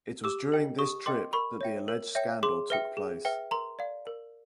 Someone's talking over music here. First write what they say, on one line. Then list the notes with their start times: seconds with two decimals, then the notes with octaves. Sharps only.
It was during this trip that the alleged scandal took place.
0.24 G4 D6 E6
0.52 A#4 D#5 G5
0.79 G4 C#6 D#6
1.06 A#4 D#5 G5 C6 D6
1.33 A#4 B5 C#6
1.61 C#5 E5 G5
1.88 A#4
2.15 C#5 E5 G5
2.43 G#4 C6 D6
2.70 B4 E5 G5
2.97 G#4
3.25 B4 E5 G5
3.51 A#4 A#5 C6
3.79 D5 F5
4.07 A#4